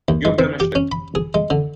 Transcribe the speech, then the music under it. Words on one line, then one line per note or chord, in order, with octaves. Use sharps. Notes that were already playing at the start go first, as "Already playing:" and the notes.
You blemished it.
D#2
G#3
C4
G4
C#4
B5
G#4
G#3
D3